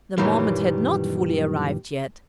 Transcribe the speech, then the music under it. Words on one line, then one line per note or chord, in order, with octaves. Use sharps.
The moment had not fully arrived yet.
F#2 A#2 D#3 E3 G3